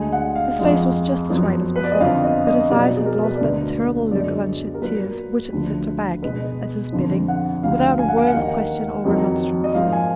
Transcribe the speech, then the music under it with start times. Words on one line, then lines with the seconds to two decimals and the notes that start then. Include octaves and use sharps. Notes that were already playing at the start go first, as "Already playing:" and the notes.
His face was just as white as before, but his eyes had lost that terrible look of unshed tears, which had sent her back, at his bidding, without a word of question or remonstrance.
Already playing: D2 D3 G#3 G#5
0.12 F#5
0.35 F5
0.59 F2 F3 G#3
1.30 F#2 F3 B3
1.76 B4
1.84 D5
1.92 D#5
2.00 F2 D3 F3 B3 F5
2.24 D#5
2.47 D#5
2.70 B2 F#3 B3 D5
2.97 G#4
3.06 A#4
3.23 B4
3.35 D5
3.41 D2 D3 G#3 B3
3.48 B4
4.11 F#2 D3 G#3 B3 D5
4.75 A#4
4.82 A#2 F#3 A#3 B4
5.52 D2 D3 F3
6.23 B2 G#3 B3 B4
6.92 F2 D3 F3
7.28 F#5
7.63 D2 D3 F3 F5
7.99 G#5
8.08 F#5
8.18 F5
8.27 F#5
8.34 D#2 D#3 A#3
9.04 F2 D#3 F#3 A#3
9.64 D#5
9.75 G#2 F3 A#3 F5
9.93 G#5